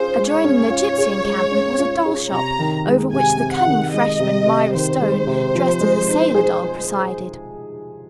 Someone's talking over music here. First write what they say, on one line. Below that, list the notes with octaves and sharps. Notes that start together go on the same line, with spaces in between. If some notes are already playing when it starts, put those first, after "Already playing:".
Adjoining the gypsy encampment was a doll shop, over which the cunning freshman, Myra Stone, dressed as a sailor doll, presided.
Already playing: C#4 F4 G#4 C5
G#3
C#5
C#4
F4
G#4
G#3
C#4
F4
G#4
C3 A#5
D#3
G#3
C3 G#5
C3
F#5
D#3
G#3 D#5
C3
C3
D#3 C5
G#3
C3
F3
G#3
D#4
G#4